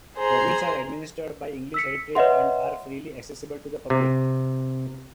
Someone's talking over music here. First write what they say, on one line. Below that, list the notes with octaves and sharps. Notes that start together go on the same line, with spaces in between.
The ruins are administered by English Heritage and are freely accessible to the public.
G#4 C5 A#5
E6 B6 C#7
B4 C#5 D#5 E5 F#5 C6
C3